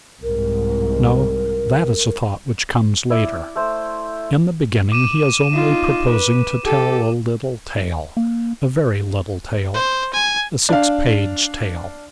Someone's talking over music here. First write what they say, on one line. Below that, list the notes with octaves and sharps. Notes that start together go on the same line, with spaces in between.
No--that is a thought which comes later; in the beginning he is only proposing to tell a little tale, a very little tale, a six-page tale.
C2 G#2 A#4
E4 D5
A3 C5
D6 D#7 E7
D#4 F4
B4
G4 A4
A#3
C5
G#5
D4 F5